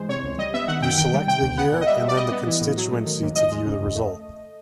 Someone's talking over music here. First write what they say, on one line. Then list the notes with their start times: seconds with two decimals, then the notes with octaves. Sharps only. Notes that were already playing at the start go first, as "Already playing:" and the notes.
You select the year and then the constituency to view the result.
Already playing: G2 E3 G#3 C5
0.09 C3 C#5
0.23 C#2
0.38 G3 D#5
0.54 B3 E5
0.68 D#3 F#5
0.82 F#2 G5
0.98 D#3 G5
1.13 G3
1.27 C3 G5
1.42 D2
1.57 B3 F#5
1.72 A#2
1.81 D#5
1.87 G3 E5
2.03 A#2
2.08 D5
2.17 G3 D#5
2.31 B3
2.47 E3
2.61 A2
2.77 F#3
2.92 A3
3.06 D#3
3.22 D#2
3.36 F3 D#5
3.51 G#3
3.66 C#3
3.81 F2
3.95 A3